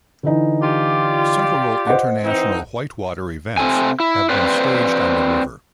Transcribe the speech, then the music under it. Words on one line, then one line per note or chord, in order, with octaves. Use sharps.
Several international whitewater events have been staged on the river.
D3 E3 D#4
F4 G4 D5
C5 D#5 F#5
E3 C4 D#4
C3 C4 A4 G#5
E4
C4 B4 C5 D5